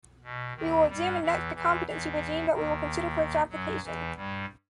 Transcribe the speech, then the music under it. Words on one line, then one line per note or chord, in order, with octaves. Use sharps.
We will examine next the competency regime that we will consider for its application.
B2
D#2 D#3
G2 G3
E2 E3
E2 E3
E2 E3
D#2 D#3
F#2 F#3
E2 E3
G2 G3